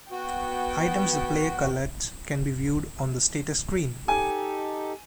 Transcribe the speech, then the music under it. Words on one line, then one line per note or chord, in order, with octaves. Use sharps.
Items the player collects can be viewed on the status screen.
B3 F#4 G5
D#4 G4 A4 G#5